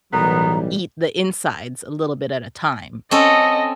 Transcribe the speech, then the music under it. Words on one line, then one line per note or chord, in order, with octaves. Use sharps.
eat the insides a little bit at a time
B1 A2 D#3 E3 G3 B3 A#5
C4 C#4 A4 D#5